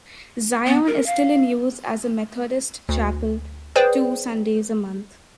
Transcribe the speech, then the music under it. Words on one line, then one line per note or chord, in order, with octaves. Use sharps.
Zion is still in use as a Methodist chapel two Sundays a month.
B3
A#4
F5
D2
G#4 B4 C5 D5 G5